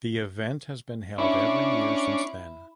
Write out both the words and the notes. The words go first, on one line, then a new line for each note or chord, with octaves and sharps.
The event has been held every year since then.
C#4 D4 E4